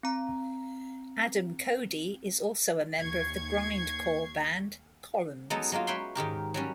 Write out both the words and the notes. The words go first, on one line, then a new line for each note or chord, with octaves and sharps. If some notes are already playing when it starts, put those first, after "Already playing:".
Adam Cody is also a member of the grindcore band Columns.
C4 A#5
D#2 C#6 G#6 C7
F#3 G#3 B3 D#4 A4
F#3 G#3 A#3 F4
B4 C#5 E5 G5 B5 C6
G#2 D#3 G4 A#4
F#3 G3 C#4